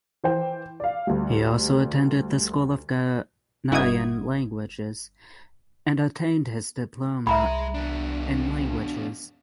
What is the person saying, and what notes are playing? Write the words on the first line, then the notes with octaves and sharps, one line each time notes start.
He also attended the School of Ghanaian Languages and obtained his Diploma in Languages.
E3 C5 G5
D5 F5
D2 G3
G1 E4 F#4 D#5 D#6 G#6
C2 G#3 E5 A#5 B5
E2 D4